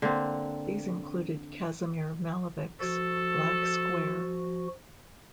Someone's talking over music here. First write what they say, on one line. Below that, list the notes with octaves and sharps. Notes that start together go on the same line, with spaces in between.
These included Kazimir Malevich's "Black Square".
D3 A#3 C4
F3 F#4 A4